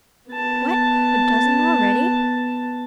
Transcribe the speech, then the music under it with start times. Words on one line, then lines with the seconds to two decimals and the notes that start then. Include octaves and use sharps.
What! a dozen already?
0.30 B3 A5